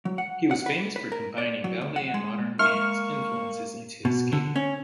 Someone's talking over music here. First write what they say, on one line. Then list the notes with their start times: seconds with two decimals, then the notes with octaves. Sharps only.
He was famous for combining ballet and modern dance influences into his skating.
0.05 F#3
0.18 F#5
0.51 F#5
0.66 B4
0.96 B4
1.12 A#4
1.38 D5
1.64 F#3
1.81 D2
1.96 F#5
2.14 G#3
2.59 G#3 A#3 C#6 F6
4.05 B2
4.33 D3
4.56 C#4